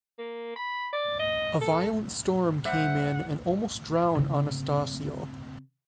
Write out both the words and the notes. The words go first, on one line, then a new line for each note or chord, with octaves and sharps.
A violent storm came in and almost drowned Anastasio.
A#3
B5
D5
D#5
A4
G3 C5 E5 F#5
C#3 C4